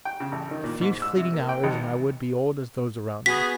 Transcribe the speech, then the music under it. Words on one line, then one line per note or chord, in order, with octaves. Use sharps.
A few fleeting hours and I would be old as those around me.
G5
C#3
A1
D#3
A#2
G#2
E6
C3
A#3
G5
G#1
B3 F#4 G#4 B6